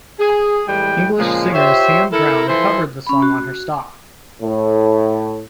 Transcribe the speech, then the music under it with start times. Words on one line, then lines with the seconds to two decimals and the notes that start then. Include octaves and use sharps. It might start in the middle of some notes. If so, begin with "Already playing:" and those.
English singer Sam Brown covered the song on her Stop!
0.19 G#4
0.68 A2 E3 G3 G#3 B4 G5
1.17 A#2 C#3 F3 G#3
1.53 F4 G4 C5 C#5 E5
2.12 E4 A4 A#4
2.48 E3 F3 A4 C5 E5 C6
3.07 C#4 B5
3.22 F#4
4.42 A2